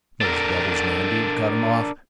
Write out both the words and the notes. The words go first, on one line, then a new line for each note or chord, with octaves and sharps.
Those devils may indeed cut him off.
D4 A4 A#4